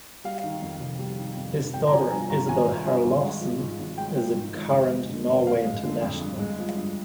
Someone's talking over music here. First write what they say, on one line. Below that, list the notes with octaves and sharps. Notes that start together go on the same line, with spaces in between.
His daughter Isabell Herlovsen is a current Norway international.
G3 F5
D#3
F2
F1
G3
D#3
F2
F1
G#1 G5
A#5
F3 G#5
G2 G#5
G#1 A#5
G#1 G#5
F3
G2
G#1
G#3
F3
G#2
G#1
G#3 G5
F3
G#2
G#1
F2
G#3
D3
F2
F2 F5
G#3
D3
F2
G2
G#3
F3
G2